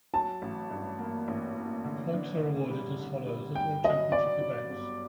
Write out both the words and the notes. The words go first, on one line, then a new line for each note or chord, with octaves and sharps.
Points are awarded as follows at all championship events.
F#3 A5
A1
G2
A#3
A1
A#3
D3
D4
D3
G3
D3
G3
G2 G5
F#3 D#5
F#3 D5
F#3
G1